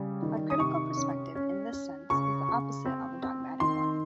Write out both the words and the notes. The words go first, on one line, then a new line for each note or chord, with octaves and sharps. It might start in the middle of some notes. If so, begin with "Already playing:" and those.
A "critical perspective", in this sense, is the opposite of a dogmatic one.
Already playing: C#3 G3
D#3
D#6
C3 C#6
C#4
C#4
C#4
C#3 C#6
C#3
C4
C4
D#3 C6